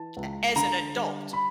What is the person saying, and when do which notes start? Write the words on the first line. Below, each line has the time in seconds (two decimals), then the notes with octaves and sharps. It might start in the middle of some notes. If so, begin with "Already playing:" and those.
a as an adult.
Already playing: E3 A5
0.17 C#2
0.56 D3 A#5
0.95 G3
1.33 B5